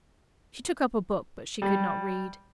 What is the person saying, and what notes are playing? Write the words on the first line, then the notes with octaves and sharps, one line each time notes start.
She took up a book, but she could not read.
G3